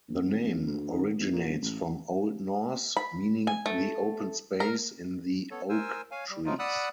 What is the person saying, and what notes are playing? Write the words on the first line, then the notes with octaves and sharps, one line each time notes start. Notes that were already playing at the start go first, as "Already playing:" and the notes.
The name originates from old Norse, meaning the open space in the oak trees.
A#1
G#1
F1
D2
D#3
E2
A#2
G1
A1
B5
G#5
A3
A#4
B3 A4 C#5
A#4 C5 G#5 E6
C#5 F5 G#5
G3
F3 F#3 G#3 A3 D#4 F4
D5 F#5 B5 D#6 E6 F#6